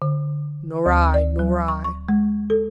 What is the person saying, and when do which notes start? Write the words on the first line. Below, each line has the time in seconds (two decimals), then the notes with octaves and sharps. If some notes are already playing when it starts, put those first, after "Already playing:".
"Nor I,--nor I."
0.02 D3
0.86 D2
1.14 D5
1.39 F#3
1.68 C#6
1.84 C#6
2.09 G#3
2.50 A4